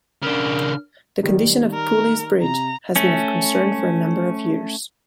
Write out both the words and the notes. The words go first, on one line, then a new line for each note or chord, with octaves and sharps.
The condition of Pooley's Bridge has been of concern for a number of years.
C#3 D4 A#4 F6
D#3 G3 D#4
A#4
C3 A#5
A3 C#4